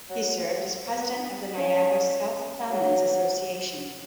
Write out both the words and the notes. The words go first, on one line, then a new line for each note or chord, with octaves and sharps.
He served as president of the Niagara South Plowman's Association.
F#3
B3
C#4
F#3